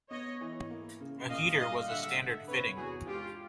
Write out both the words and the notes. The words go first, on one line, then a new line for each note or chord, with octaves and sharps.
A heater was a standard fitting.
B3 C#5 D#5
E3
A#3
C#3
A#2 D#5 F5
G3 D#5 F5
D3 E5 F#5
D3
C3 B4 C#5
E2 F#4 G#4
G#3 F4 G4